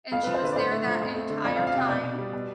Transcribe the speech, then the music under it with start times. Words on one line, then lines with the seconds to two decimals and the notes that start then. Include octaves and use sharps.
and she was there that entire time,
0.12 F2 F5
0.23 F3 B4
0.34 C5
0.42 D3 B4
0.52 D5
0.56 A2 C5
0.71 A3
0.86 F3
1.01 F2
1.15 A3
1.30 D3
1.45 F2 D5
1.56 F5
1.59 F3
1.67 F5
1.74 C3 G5
1.89 B2 D5
2.04 B2
2.18 G3
2.33 B2